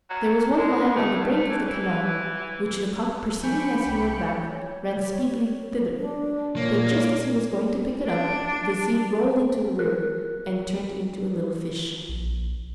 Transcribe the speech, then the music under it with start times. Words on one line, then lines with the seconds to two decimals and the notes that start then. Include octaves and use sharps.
There was one lying on the brink of the canal, which the cock perceiving as he went back, ran speedily thither; but just as he was going to pick it up, the seed rolled into the river, and turned into a little fish.
0.10 F#3
0.57 G#3
0.96 A3
1.20 F2
1.32 A3
1.50 E3
1.67 E3
3.43 F3 G3 G4 G#5 B5 C#6
3.86 C2 G5
4.49 C#5
5.98 D4
6.57 A#2 A#3 C#5
8.07 D4
9.79 G#4 A#4 F#6
12.09 A#1